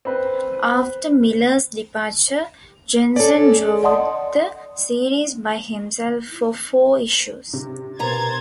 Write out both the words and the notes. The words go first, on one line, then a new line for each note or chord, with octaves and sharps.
After Miller's departure, Janson drew the series by himself for four issues.
C4 B4
C#4 A4 D5
D5 D#5 F#5 A5 C6 D#6
C3
B2 A#4 C5 A#5 G#6 A6